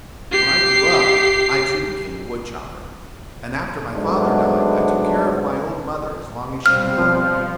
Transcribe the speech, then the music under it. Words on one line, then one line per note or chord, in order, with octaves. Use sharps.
When I grew up, I too became a woodchopper, and after my father died I took care of my old mother as long as she lived.
G4 C7
G#2 F#3 G#3 A3 B3 D4
B2 G3 C4 F5 F6
F3